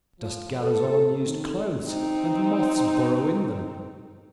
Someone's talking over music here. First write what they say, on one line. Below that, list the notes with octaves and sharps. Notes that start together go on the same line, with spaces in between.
Dust gathers on unused clothes, and moths burrow in them.
F3
A4
D#3
C4 D#4